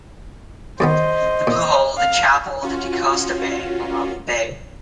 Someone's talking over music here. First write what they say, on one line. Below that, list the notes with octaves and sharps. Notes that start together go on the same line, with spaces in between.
The Blue Hole, the Chapel, the Decosta Bay, Malama bay.
F#2 D#3 B3 C5 D#5
A#2
F5
C#4 F4 F#4